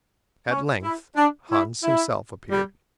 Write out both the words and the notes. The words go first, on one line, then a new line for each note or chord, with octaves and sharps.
At length Hans himself appeared.
C#4
E4
D4
E4
E4
G3